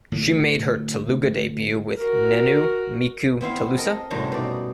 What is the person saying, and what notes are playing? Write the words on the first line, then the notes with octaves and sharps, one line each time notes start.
She made her Telugu Debut with Nenu Meeku Telusa...?
A2 D3 F#3
F#4 A#4
B3 C4 E4 F5
A4 A#4 D#5
F#2 A2 C3 G3 A3 A#5
B2 D#4 D5